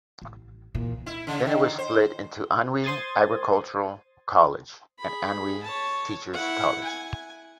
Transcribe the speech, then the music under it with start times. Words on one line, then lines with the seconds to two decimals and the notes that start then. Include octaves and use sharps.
Then it was split into Anhui Agricultural College and Anhui Teacher's college.
0.22 A1
0.74 A#2 E3
1.06 E4
1.27 C#3
1.46 D3
1.78 C5
2.84 C5 C6 D#6 G#6 A6
4.98 G#4 B5
5.63 C#5 A5
6.33 E4 F#5
6.84 G#5